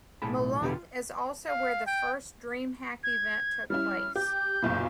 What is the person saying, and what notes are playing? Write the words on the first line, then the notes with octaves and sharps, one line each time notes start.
Malung is also where the first DreamHack event took place.
B1 A2 G#4 A5 B5
E2 B2 D3 G4 B4
F5
G5
G#6
G3 C#4 E4 F6
G4 G6
F#1 B1 A#2